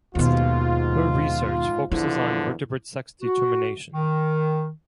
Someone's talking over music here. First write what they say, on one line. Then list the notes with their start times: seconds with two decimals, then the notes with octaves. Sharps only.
Her research focuses on vertebrate sex determination.
0.15 D#2 G#2 B2 F4
1.91 E2 D3 F3 E4
3.22 F#4
3.92 D#3